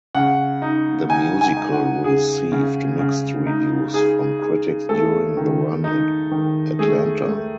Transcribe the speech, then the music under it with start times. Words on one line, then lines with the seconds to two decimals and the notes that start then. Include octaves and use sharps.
The musical received mixed reviews from critics during the run in Atlanta.
0.15 C#3 F#5
0.62 D#4
1.09 D#4 G#5
1.41 G#5
1.57 D#4
1.72 F#5
2.04 C#3 G#4
2.52 C#3
2.99 C#3
3.46 D#4
3.94 D#4 G#4
4.41 D#4 G#4
4.89 A3 A4
5.37 D#3
5.84 D#4
6.31 D#3
6.79 A3 G#4
7.27 A3